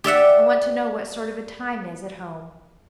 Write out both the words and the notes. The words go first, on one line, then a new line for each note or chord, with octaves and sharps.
I want to know what sort of a time is at home.
G4 D5 E5 F#5